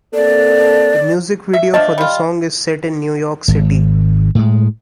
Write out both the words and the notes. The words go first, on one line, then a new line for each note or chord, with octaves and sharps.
The music video for the song is set in New York City.
A#3 C4 A4 D5
E5
F3 A3 D4 D#5
G3 F4
G#1
A2 G#3